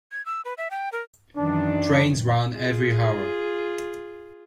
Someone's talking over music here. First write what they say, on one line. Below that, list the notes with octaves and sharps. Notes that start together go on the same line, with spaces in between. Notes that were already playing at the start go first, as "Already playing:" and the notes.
Trains ran every hour.
G#6
E6
B4
E5
G5
A#4
F#2 D#3 E3 D4
F4 G#4